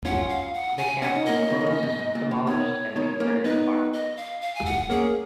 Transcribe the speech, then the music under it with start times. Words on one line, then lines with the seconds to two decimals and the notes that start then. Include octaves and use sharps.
The camp was closed, demolished and converted to farmland.
0.05 C#4 F4 F#5
0.29 F5
0.54 F#5
0.78 G#5
1.02 C#4 F#5
1.15 D#4
1.26 A#3 C#4 D#5
1.50 B2 D#3
1.61 D#3
1.67 A#2 C#3
1.83 G#2 B2
1.99 G#2
2.15 A#2
2.31 A#2
2.47 B2 D#3 C#5
2.96 B2 D#3
3.20 A#3 C#4
3.44 B3 D#4 B4
3.93 D#5
4.17 F5
4.41 F5
4.55 G#5
4.65 F#5
4.90 A#3 C#4 G#4